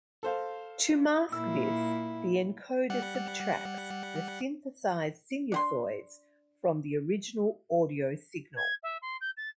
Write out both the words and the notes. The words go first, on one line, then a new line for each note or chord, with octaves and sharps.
To mask this, the encoder subtracts the synthesized sinusoids from the original audio signal.
A4 C5 F5
A#2 E4 E6
G3 F#5
D4 F#5 C6
G#6
E5
C6
G6
A6